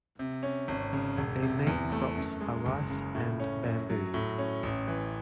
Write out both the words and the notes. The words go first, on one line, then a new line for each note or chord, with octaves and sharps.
A main crops are rice and bamboo.
C3
C#4
G#1
C#3
E1
C3
E2
A3
F#2
G#3
F#1
C#3
A2
C#4
F#2
F#3
A2
C#4
A1
E3